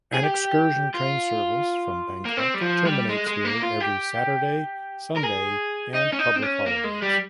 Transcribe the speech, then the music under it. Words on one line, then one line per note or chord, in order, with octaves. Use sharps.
An excursion train service from Bangkok terminates here every Saturday–Sunday and public holidays.
G#4
G4
F4
A#3
C4
G3
F3
G3
G#3
G#3
A#3
F4
G4
A#4
G#4
D#4
C#4
D#4
C4
C#4
A#3
G#3
G3